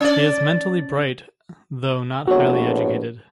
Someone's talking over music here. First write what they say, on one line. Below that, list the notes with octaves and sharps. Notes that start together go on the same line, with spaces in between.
He is mentally bright, though not highly educated.
C#4 D5
A#1 A2 B3 F#4 C#5